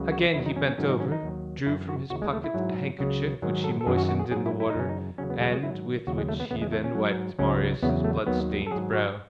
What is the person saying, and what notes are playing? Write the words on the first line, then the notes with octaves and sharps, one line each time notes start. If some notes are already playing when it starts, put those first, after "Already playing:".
Again he bent over, drew from his pocket a handkerchief which he moistened in the water and with which he then wiped Marius' blood-stained brow.
Already playing: C#2 C#3 F#3
F#4
E2 D#3 F#3 E4
D#4
C#4
C#4
G#2 D#3 F#3 C#4
D#4
C#4
D#4
D#2 D#3 F#3
F#2 E3 E4
F#4
D#2 C#3 E3 F#4
G#3
A3
E4
G#2 F#3
C#2 C#3 F#3
G#2 D#3 F#3
A4
A4
F#2 D#3 F#3 G#4
F#4
F#4
G#4
G#2 F#3 G#4
E4
E4
D#4
F#2 C#3 E3 C#4
D#4
E2 C#3 F#3 C#4
B3
G#3
G#3
G#2 D#3 F#3 E4
D#2 C#3 F#3 F#4
G#3
A3
B3
E2 C#3 E3 B3
G#3
A3
C#4
G#2 F#3
C#2 C#3 F#3 C#4
E2 C#3 F#3 B3
A3
D#2 D#3 F#3 B3
A4
G#2 D#3 F#3 G#4
F#4